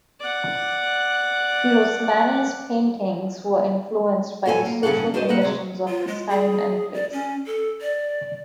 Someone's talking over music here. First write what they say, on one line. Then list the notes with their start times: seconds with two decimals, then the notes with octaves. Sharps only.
Pirosmani's paintings were influenced by the social conditions of his time and place.
0.20 D5 F#5
4.45 F#2 B2 A4 A#4 G#5
4.66 A#3
4.83 G2 C#3 E3 G#4 A4 F#5
5.14 D4 F#4 B4 C5 D5 D#5
5.28 A#2 A#3 B4 D#5 F#5
5.41 C3 F#3 G#3
5.88 F4
6.08 G#3
6.29 G#4
6.94 D5
7.13 C#4
7.46 A4
7.81 D5